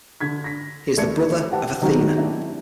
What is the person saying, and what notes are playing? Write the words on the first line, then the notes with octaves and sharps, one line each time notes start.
He is the brother of Athena.
D3 G#6 B6
A#6 B6
D#2 A3 D5 G#6 C#7
G4 F#5 A5
D#3 F#3 C4 D#4 F#4
D4 E4